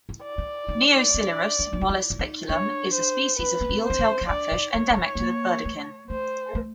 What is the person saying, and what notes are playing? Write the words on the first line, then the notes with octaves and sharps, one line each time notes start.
"Neosilurus mollespiculum" is a species of eeltail catfish endemic to the Burdekin.
E4
D5
E4
D#4
D4
D4
D4
D#4
E4
E4
D#4
D4 C#5
C5
C#4 B4
B3
C4
C5
D4
C#4
C#4
D4 D5
D#4
D#4 C#5
E4
D#4
A3
A#3
A3
A3 C5
A3